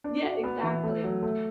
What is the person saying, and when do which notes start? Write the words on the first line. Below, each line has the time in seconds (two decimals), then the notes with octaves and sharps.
Yeah, exactly.
0.04 D4
0.24 F#4
0.44 B3
0.63 E3
0.84 A3
1.04 F#3
1.23 A3